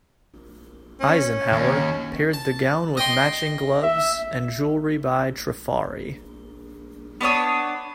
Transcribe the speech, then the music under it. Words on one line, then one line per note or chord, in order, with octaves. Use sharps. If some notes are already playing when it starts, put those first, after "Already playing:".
Eisenhower paired the gown with matching gloves, and jewelry by Trifari.
C#4
D#2
A5
D#5 G5 C6
E5
B3 D4 C#5 D#6